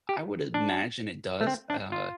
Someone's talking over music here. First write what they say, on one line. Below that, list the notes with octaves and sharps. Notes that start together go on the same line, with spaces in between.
I would imagine it does, uh,
G4
D4
A3
C4
D4
F4